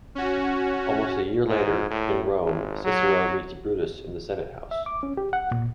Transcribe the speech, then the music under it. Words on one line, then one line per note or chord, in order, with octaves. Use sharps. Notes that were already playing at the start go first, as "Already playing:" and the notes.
Almost a year later, in Rome, Cicero meets Brutus in the Senate House.
C#4 F#4
G#2
A2
G#1
F#3
E5
D6
C#4
G4
F#5
A#2